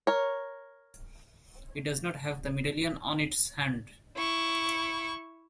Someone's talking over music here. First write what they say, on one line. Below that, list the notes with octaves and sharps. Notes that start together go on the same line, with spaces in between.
It does not have the medallion on its hand.
A#4 C#5
E4 C#6